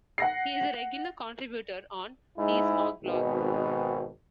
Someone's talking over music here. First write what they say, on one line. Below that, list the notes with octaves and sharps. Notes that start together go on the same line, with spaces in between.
He is a regular contributor on DeSmogBlog.
F#5 A#6 C7
G#2 G#3 D#4 E4
G#1 B2